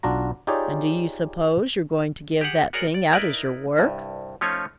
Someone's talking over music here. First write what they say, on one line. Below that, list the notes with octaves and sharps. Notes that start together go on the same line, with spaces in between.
'And do you suppose you're going to give that thing out as your work?'
B1 D4 F4 F#4 A#5
D#4 F4 G4 G#4 C#5 D5
G4 G#4 F#5
F#4 G#4 A#4 C#5 D5 F#5
D5
D#4 E4 A#4 B4 D5
C2 G2
F3 A3 C#4 D#4 F4 C#5